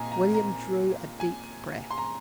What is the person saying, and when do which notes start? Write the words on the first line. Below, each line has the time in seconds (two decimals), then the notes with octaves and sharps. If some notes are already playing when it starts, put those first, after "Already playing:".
William drew a deep breath.
Already playing: A#2 C4 D#5 G#5 A#5
0.12 A#5
0.34 A#5
1.20 G#5
1.91 C6
1.98 A#5